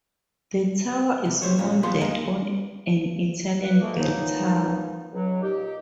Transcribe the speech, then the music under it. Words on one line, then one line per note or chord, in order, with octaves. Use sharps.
The tower is modeled on an Italian bell tower.
C3
G3 C5 C#5
F2 A#2 C#4
F3 G3 G#3 B3 A4 C6
A#3 G#4 D#5
A#3 B4
G#2 A3 A#3
F3 A#3 B3 C#4 D#4
C#2 F#3
A#2 D#4 G4